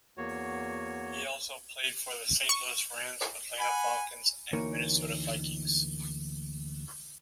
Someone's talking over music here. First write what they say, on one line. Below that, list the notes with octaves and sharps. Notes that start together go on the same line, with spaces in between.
He also played for the Saint Louis Rams, Atlanta Falcons and Minnesota Vikings.
E2 A#3 F#4 C#5
C#6
F#5 G#5 B5
D2 E3 A#3 D#4 A#4 C#5